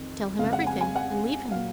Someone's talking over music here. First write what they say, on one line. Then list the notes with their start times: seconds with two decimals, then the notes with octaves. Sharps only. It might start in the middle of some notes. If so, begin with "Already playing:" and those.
"Tell him everything, and leave him."
Already playing: F2 D#3
0.38 F2 C#3 G#3 F5
0.53 F#5
0.67 G#5
0.81 G#5
0.96 F#5
1.51 A#2 F#3 F5